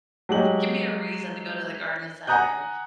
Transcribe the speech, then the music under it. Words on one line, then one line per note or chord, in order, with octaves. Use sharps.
give me a reason to go to the garden center and
F#3 G#3 G4 F#7
F#5 G#5 A#5 D#6 F#6 G6